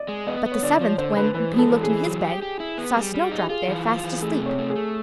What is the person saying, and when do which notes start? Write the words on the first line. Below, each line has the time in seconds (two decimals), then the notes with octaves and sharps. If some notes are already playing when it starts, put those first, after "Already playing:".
But the seventh, when he looked in his bed, saw Snowdrop there, fast asleep.
Already playing: D5 D#5
0.08 G#3
0.27 B3 D#5
0.46 B3
0.52 C#5
0.63 D3 D5
0.80 F3 C#5
0.98 D3 C5
1.17 D3 B4
1.34 E3 B4
1.52 G#3
1.59 A4
1.70 E3
1.83 G#4
1.89 E3
2.06 F#3
2.24 G4
2.42 G4
2.60 E4
2.78 B3
2.96 G3
3.14 G3
3.32 D#4
3.41 G4
3.49 F4 G#4
3.68 E3
3.85 F4
4.04 E3
4.21 A3 G#4
4.40 C3
4.46 C#5
4.58 A3
4.70 G#4
4.76 A3